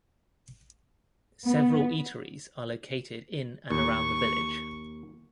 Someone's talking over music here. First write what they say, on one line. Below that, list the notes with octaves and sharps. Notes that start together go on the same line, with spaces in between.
Several eateries are located in and around the village.
B3
D#2 C#6